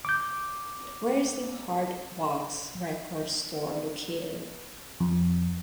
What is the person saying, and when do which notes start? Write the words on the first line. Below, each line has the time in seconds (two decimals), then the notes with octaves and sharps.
Where is the "Hardwax" record store located?
0.05 D6 G6
5.00 F2